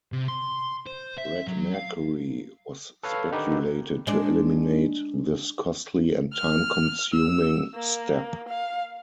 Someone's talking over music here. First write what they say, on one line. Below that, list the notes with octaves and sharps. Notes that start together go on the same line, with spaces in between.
Red mercury was speculated to eliminate this costly and time-consuming step.
C3
C6
C5
E5
F#3
F5
A4 B4 C#5 F5
D3 D#3 D#4 G4 B4
G#3 D4
F6
E6
A#3
F5